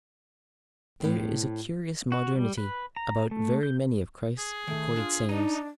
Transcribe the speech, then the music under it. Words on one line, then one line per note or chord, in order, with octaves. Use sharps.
There is a curious modernity about very many of Christ's recorded sayings.
A2 C4
F#4
G3
B4
A#5
A3
G6
G#4
D#3 A3
D4 F4
D4 D#4 D#5